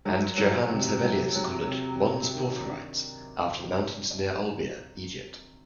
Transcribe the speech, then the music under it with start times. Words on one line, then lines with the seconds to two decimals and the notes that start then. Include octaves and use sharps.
And Johannes Hevelius called it "Mons Porphyrites" after the mountains near Olbia, Egypt.
0.05 F#3
0.38 F#3
0.71 C3
1.03 F#3
1.35 F#3
1.67 C3
2.00 C3
2.33 D#3
2.65 D4